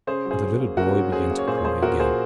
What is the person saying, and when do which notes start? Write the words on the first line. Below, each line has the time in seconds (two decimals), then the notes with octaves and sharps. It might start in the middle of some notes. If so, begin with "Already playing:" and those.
And the little boy began to cry again.
0.07 C#3 G#4 C5
0.25 F#3
0.31 G#4 C5
0.42 C#3
0.60 A#3
0.77 C#3 F#4 A#4
0.95 F#3
1.12 C#3 G#4 C5
1.30 A#3
1.38 C#5
1.47 A#2 G#4 C5
1.57 C#5
1.65 F3 G#4 C5
1.82 A#2 F#4 A#4
1.99 A#3 G#4 C5